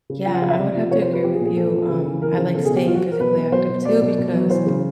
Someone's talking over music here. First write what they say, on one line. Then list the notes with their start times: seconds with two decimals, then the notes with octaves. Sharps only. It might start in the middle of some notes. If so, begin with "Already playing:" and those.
Yeah, I would have to agree with you, um, I like staying physically active too because,
0.10 C#3
0.26 F3 G5
0.34 F#5
0.42 C#3 F5
0.50 E5
0.58 C3 D5
0.75 F3
0.91 C3 C#5
1.02 C5
1.08 F3
1.13 B4
1.24 F3 G4
1.35 G#4
1.40 A#2
1.46 G#4
1.57 F3 A4
1.73 F3
1.89 C#3
2.06 E3
2.22 E3 A#4
2.38 C#3
2.54 B2 A4
2.65 G#4
2.71 B2
2.76 G4
2.87 F#3 F4
2.95 F#4
3.03 F#3
3.11 A#4
3.20 B2 B4
3.36 B2
3.52 F#3 C5
3.69 B2
3.85 F#3 D5
4.01 B2
4.18 B2
4.34 F#3
4.50 E3 C5
4.66 C#3